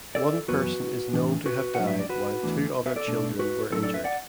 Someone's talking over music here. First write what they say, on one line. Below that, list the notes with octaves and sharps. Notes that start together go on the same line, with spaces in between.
One person is known to have died while two other children were injured.
A4 D5
F#2 E3 B3 F#4 B4
A2 E3 D4
F#4 B4
A2 F#3 D4 F#5
E5
D5
F#4 B4
E2 E3 A3 D4
B4 E5
A4 D5
B2 A3 D4
F#4 B4
A2 F#3 D4 E4 A4
A4 D5
B4 E5
D5 F#5